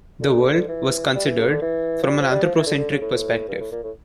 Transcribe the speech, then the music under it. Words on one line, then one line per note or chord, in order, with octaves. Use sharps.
The world was considered from an anthropocentric perspective.
D3
E3
G3
E3
C#3
D3
E3
F3
G3
F3
G3
F3
E3
D3
D3
C#3
A2
G2
A2
A#2
A2